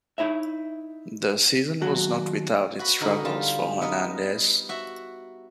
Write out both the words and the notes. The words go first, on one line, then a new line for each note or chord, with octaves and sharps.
The season was not without its struggles for Hernandez.
D#4 E4 C#5 E5
D#2 F#3 F#4 F#5
F#4 B4
D3 D#4 A#4 D#5 B5
G3 F4 A5
B3 D#4 A#4 D#5
F#4 E5